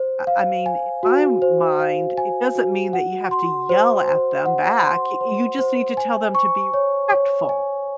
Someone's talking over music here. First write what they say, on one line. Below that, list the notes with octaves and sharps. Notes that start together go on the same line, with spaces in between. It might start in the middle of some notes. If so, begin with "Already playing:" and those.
I I mean, in my mind, it doesn't mean that you have to yell at them back. Y you just need to tell them to be respectful.
Already playing: C5
F5
G#5
F#4
C5
F5
G#5
F#4
F#5
C6
C5
C5
F#5
C6
C5
C5
G#5
C#6
C#5
C#5
G#5